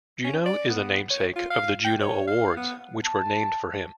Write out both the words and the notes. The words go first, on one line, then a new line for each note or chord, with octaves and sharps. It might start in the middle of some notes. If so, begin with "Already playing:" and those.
Juneau is the namesake of the Juno Awards, which were named for him.
C#4
D5
B3
C#5
F4
F5
G5
C#5
F5
B3
A5